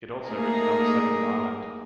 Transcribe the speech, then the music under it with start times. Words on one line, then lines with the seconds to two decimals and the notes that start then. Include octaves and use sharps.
It also reached number seven in Ireland.
0.25 A3 A#3 D#4 G#4 A#4